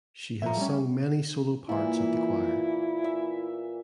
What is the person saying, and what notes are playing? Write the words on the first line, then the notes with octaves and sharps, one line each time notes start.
She has sung many solo parts at the choir.
A2 F3 F4 E5 A#5
G3 A3 C#4
A#2 E3 E4
E5